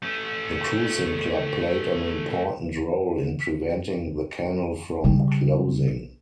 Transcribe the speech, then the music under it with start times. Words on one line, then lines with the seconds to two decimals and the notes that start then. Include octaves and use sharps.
The cruising club played an important role in preventing the canal from closing.
0.02 A3 C#4
5.04 C#3 G3